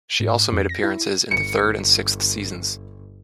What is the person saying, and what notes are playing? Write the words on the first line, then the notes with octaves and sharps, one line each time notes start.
She also made appearances in the third and sixth seasons.
G#2
F2
A#6
E4
G1 C#7